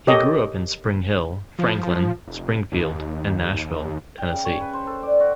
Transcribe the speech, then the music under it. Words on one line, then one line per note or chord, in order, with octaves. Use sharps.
He grew up in Spring Hill, Franklin, Springfield, and Nashville, Tennessee.
G4 A4 A#4 C#5 D#5
F3
F1
D#2
G5
C#3
C#5
B4
C5
A4
D5
F#4